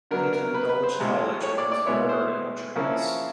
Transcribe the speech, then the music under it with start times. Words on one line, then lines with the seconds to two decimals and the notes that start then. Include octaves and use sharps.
He attended Dulwich College where he was a boarder in Orchard House.
0.11 D3 F#3 B3 D4 A#4
0.33 A#4
0.54 B4
0.69 B4
0.83 C5
0.99 C2 C3 F3 G#3
1.43 C#5
1.58 D5
1.72 D5
1.86 B2 G#3 B3 E4 C#5
2.09 C5
2.75 C#3 F3 A#3 C#4 E4